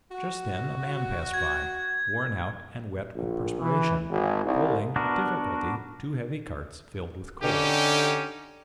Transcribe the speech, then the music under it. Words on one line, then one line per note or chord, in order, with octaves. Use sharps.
Just then a man passed by, worn out and wet with perspiration, pulling, with difficulty, two heavy carts filled with coal.
F#4
G#6
A#1
E3
G#1
C2
B3 D4 F#4 A#4
D3 C#4 D#4 G4